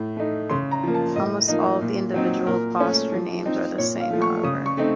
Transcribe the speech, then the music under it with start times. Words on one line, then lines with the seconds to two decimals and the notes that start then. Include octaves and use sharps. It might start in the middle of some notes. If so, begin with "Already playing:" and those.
Almost all of the individual posture names are the same, however.
Already playing: A2
0.17 A3 D#4
0.50 C#3 C6
0.71 A#5
0.83 F3 A#3
0.94 A5
1.16 A2 D#5
1.48 F3 A#3 D#4
1.81 A#2
2.14 F#3 C4 D#4
2.47 A#2 A#4
2.79 A3 C#4
3.12 F3
3.46 C4 D#4
3.78 A#2 C#5
4.00 F5
4.10 F3 A3
4.22 C#6
4.43 C#3 D#6
4.66 C#6
4.77 A3 C4 D#4